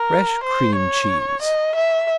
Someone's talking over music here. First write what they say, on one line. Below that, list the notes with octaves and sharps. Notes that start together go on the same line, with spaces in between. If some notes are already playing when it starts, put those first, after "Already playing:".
Fresh cream cheese.
Already playing: A#4
C5
C#5
D#5
E5